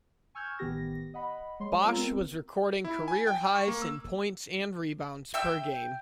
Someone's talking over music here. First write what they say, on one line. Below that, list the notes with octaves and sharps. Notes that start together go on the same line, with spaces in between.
Bosh was recording career-highs in points and rebounds per game.
G#5 C#6 E6 F6 G6 G#6
A1 D#3 B3 G4 A#6
D#5 F#5 B5
G#3 C#5 C6
G#3 B3 F4 A#5 E6
B3 C4 A#4
E4
G#5
G5
C#6
A#3
E6
E5 G5 E6